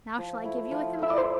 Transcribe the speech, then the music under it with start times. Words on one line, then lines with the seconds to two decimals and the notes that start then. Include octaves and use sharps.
"Now shall I give you a thimble?"
0.18 F3
0.44 A3 E4
0.71 F3
0.99 A3 E4 E5
1.10 D5
1.18 C5